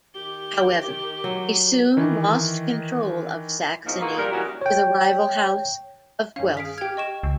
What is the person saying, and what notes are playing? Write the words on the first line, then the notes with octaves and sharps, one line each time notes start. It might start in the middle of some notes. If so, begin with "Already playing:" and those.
However, he soon lost control of Saxony to the rival House of Guelph.
D#3 G4 G7
F#3
D#3 E3
E2 G#2 D#3 F3 A#3
A#3 D#4 F4 F#4 G#4 A4
A#2 G3 A#4
E3 F#3 G3 C#4 D#4 F#4
C#5 G5
G2 D#3 C#4 F5
G#4 F5 B6 D7
G4 G5 F6 G#6
D#5 C#6 E7
C#2